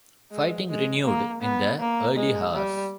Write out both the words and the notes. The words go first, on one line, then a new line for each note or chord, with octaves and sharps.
Fighting renewed in the early hours.
G#3
G#3
A#3
B3
A#3
G#3
G3